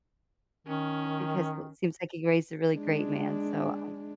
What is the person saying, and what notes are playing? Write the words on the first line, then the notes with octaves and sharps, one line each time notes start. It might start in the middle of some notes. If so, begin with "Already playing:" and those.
because well it seems like he raised a really great man, so I
D#3 C#4
G#3 D4